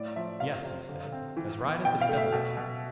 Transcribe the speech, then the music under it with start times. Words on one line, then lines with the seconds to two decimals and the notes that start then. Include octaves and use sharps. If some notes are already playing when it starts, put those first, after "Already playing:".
"Yes," I said, "as right as the devil would have it."
Already playing: A2 D5
0.16 F3 E5
0.40 C3 F5
0.65 C3
0.89 D3
1.12 C4
1.37 E3
1.61 B3
1.85 B2 G5
2.01 F5
2.09 A3
2.17 E5
2.32 B2
2.57 B2